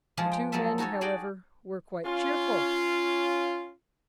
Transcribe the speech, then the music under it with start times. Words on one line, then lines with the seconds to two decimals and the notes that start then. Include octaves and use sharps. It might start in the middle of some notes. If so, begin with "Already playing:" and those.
The two men, however, were quite cheerful.
0.17 F2 F3 G#3 F4 G#4
0.32 G5
0.52 F3 F#3 G#3 G#4 A4 E5
0.78 D#4 F#4 G#4 A4 C#5
1.01 F#4 G#4 D5 G5
2.05 C#4 F4